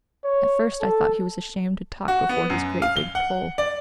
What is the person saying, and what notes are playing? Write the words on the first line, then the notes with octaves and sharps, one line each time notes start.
At first I thought he was ashamed to talk before his great big Pole.
C#5
A4
F#4
B3
F#2
F5
G7
F#5
D5